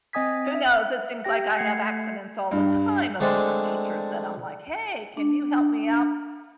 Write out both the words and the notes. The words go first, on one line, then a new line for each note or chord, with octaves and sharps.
Who knows, it seems like I have accidents all the time of different natures that I'm like, "Hey, can you help me out?"
C4 D#5 G#5 D#6 G#6 B6
E5
G4 G5 A#6
A3 F#5 G#6 C7 C#7
G2
D3 G#3 A3 C4 D4
D4